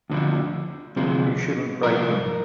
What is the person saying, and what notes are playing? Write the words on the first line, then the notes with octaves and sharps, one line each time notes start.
You shouldn't break them.
D2 D3 F3
D2 C3 F3 G#3
C2 A#2 F3 A#4